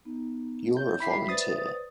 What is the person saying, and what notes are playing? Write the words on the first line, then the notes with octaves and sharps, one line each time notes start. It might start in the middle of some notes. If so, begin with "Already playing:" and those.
You're a volunteer.
B3 D#4
C#5 G6
E4 E5 G5 B5 D6 B6 C7
B4 C5 D5 D#6 A6